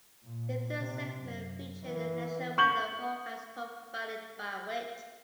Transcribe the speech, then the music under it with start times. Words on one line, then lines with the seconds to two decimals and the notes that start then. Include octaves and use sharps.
The third segment featured a national weather forecast provided by Witte.
0.24 A#2
0.79 C3
1.18 F#2
1.85 E3
2.58 C#6 G6 F#7